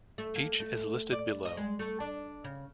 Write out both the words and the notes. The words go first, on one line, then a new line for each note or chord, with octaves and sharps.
Each is listed below.
A3
A#3
A3
D5
D#5
G#3
A3
D4
C#3